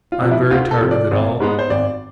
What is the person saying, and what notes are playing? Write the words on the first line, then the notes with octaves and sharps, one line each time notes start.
I am very tired of it all....
F4
C3 F3
E4
D2 F4
A4
C3 F3
D5
G#1
G#2 G#3 B3
C5
G#1 D5